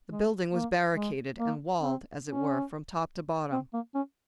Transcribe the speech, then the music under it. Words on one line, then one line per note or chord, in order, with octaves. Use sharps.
The building was barricaded, and walled, as it were, from top to bottom.
G#3
A#3
G#3
A#3
C4
C#4
C4
A#3
C#4